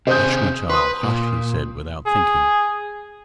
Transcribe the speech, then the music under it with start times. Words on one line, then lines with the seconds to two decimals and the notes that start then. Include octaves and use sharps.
"Hush, my child, hush!" he said, without thinking.
0.07 C3 G#4 C5 D#6 G6
0.70 B4 C6 D#6
1.03 A#2
2.06 G#4